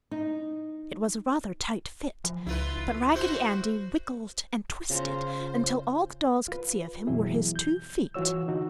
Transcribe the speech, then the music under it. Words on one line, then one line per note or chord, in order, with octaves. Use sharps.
It was a rather tight fit, but Raggedy Andy wiggled and twisted until all the dolls could see of him were his two feet.
D#4
F3
C#2 E4 F4 B4
E4 F#4 C5
C#3 F4 C5 A#5
F4 B4
F#2 B2 E3 F#3 E4 G#4
G6
E3 F4 F#4 C#5 E6
D3 D#4 F#4